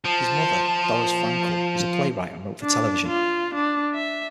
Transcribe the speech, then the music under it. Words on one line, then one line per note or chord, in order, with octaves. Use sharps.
His mother, Doris Frankel, was a playwright and wrote for television.
F3 A5
D4
F4
D4
E5